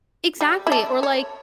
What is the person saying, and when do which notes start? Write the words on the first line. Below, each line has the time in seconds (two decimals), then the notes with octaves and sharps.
Exactly, or, like
0.41 G3
0.67 E4
0.72 D4
1.03 C#5